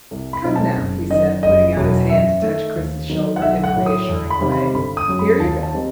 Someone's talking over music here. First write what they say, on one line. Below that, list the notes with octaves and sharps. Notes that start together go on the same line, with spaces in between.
Come now," he said, putting out his hand to touch Chris's shoulder in a reassuring way, "here you go.
C2
B5
B2 F#3 C4 D#4
A5
F#1
F#2 D#3 D#5
F#1 D#5
E2 B2 F#3 B3
F#2 E5
D#3 A3
D#2
D#3 F#3 B3 D#4
F#5
B1 E5
F#5
A2 F#3
D#6
E2
B5
C3 D#3 G3 C4
B5
G1 B5
D#6
F#2 F#3
B5
D#2 A5
A5
D#3 G3 C4 D#4